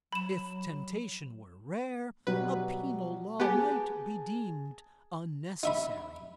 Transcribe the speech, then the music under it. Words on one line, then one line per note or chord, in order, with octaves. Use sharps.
If temptation were rare, a penal law might be deemed unnecessary.
F#3 B5 E7
B2 F#3 G3 B4
B3 G4 G#4 G#5 A5
D#4 E5 B5